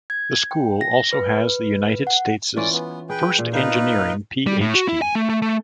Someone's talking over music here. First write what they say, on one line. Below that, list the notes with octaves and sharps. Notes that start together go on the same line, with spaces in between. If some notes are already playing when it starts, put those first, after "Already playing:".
The school also has the United States' first engineering Ph.D.
G#6
G5
A#6
B4
F#5
E3 C#4 F4 D5
B3
G#4 B4 G5
A#2
D#4 F4 B4 G5
C#5
G3
A2
F#4
E4
G#5
A3
A3
A3